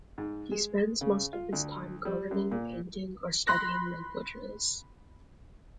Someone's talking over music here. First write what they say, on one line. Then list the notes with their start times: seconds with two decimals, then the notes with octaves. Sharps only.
He spends most of his time gardening, painting, or studying languages.
0.18 G#2
0.52 G#3
1.01 C#3
1.33 F4
1.53 D2
2.05 G3
2.31 F#2
2.51 A#2
3.47 B5 C6 F#6 A#6